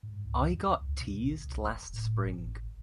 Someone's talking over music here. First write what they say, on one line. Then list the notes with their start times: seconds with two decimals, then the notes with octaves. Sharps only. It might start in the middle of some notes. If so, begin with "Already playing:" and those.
I got teased last spring.
0.03 G#2
0.26 C#2
0.56 D#2
0.77 C#2
1.01 B2
1.24 G#1
1.45 C2
1.68 E1
1.93 A2
2.24 G#1